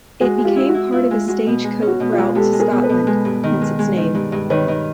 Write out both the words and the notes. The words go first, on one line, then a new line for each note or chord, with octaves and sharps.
It became part of a stagecoach route to Scotland, hence its name.
G#3 F#4 G#4
G#3
F4 G4
E4 F4
F#4
E4
E4 F4
G#3
G#3 F#4
B2
G#3
C#4
F#4
B2
F4
G#3
G#3 G4 A4
G#3
G#4 A#4
B2
A4 B4
B2
G#3
G2
D#3
G#3
G#3
D#3
G2
G2
D#3 B4 C#5
D#3